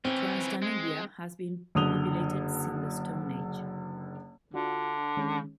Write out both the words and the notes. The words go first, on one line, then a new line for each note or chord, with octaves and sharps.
Transdanubia has been populated since the Stone Age.
E3 C4 C#4
G#3
F#1 D3 D#6 F7 G7
D3 D4 F4 F#4
D#3 G#3 C#4